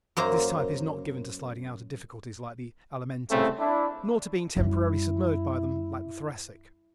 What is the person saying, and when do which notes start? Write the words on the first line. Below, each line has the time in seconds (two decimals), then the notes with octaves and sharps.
This type is not given to sliding out of difficulties like the Alimentive nor to being temporarily submerged by them like the Thoracic.
0.17 F#2 A#3 C5 A#5
3.30 C2 C#3 A3 C4
3.60 D4 E4
4.57 F#2 G3 E4